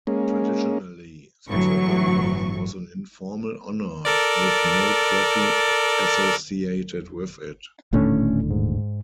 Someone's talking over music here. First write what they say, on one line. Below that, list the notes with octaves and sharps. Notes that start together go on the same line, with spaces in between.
Traditionally the Triple Crown was an informal honour with no trophy associated with it.
G#3 A#3 C#4
G1 A2 E3 F#3 C#6
A4 A#4 D5
D#1 D#2 A2 D3 A3 C#4
G#2